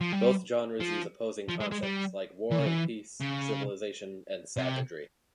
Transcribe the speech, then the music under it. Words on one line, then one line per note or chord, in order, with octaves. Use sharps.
Both genres use opposing concepts like war and peace, civilization and savagery.
F3
G3
F3
F3
G#3
G#3
G3
E3
C#3
E3
C#3
C3